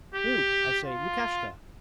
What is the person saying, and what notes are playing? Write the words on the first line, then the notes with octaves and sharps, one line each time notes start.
'Luke, I say, Lukashka!
G4
F4